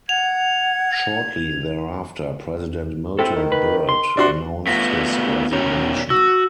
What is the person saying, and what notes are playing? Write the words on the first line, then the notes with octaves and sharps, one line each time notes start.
Shortly thereafter, President Milton Byrd announced his resignation.
F#5 G#6 F7
C4 E4 A4
D#3
B4
C6
C3 D4 F#4 C6
A3 B3 F4 A#6 B6
B2 C#4 A#4 C#5
F#4 E6